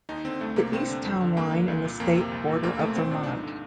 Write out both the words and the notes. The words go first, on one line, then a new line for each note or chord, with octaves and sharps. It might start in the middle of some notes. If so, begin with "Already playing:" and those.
The east town line in the state border of Vermont.
D#2 D#4
D3 C4
C2 A3
C3 A#3
G2 C4
D3
F2
D3
G2 A#3
D3
C2
A#2
F2 A#3
C3
C2
A#2
D2 A#3
C3 A3
C2 C4
A#2 D4
D4
G2 D#4
D3